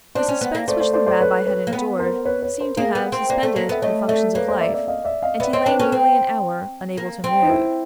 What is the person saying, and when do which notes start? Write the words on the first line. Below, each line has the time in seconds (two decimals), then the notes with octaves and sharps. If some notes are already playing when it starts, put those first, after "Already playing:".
The suspense which the rabbi had endured seemed to have suspended the functions of life, and he lay nearly an hour unable to move.
0.15 D4 C5 D5
0.28 C#4
0.41 B3
0.55 A#3
0.68 A3 C5 D5
0.80 C5 D5
0.93 C5 D5
1.06 C5 D5
1.20 B4 C#5
1.46 B4 C#5
1.67 A#3
1.73 B3
1.99 A#4 C5
2.25 B4 C#5
2.42 B4 C#5
2.60 A#4 C5
2.77 A#3 G#4 A#4
2.95 B3
3.12 C4
3.29 A#3 C5 D5
3.43 A3
3.56 A#3
3.69 B3 E5
3.82 A3 C#5 D#5
4.08 A3 D5 E5
4.35 A#3 B4 C#5
4.48 C5 D5
4.61 D5 E5
4.74 D5 E5
4.88 D#5 F5
5.04 D5 E5
5.22 D#5 F5
5.40 B3 D5 E5
5.53 C4 C#5 D#5
5.66 D4 B4 C#5
5.79 C#4 A4 B4
5.92 C4
6.97 A#3
7.24 C4
7.42 D#4
7.50 E4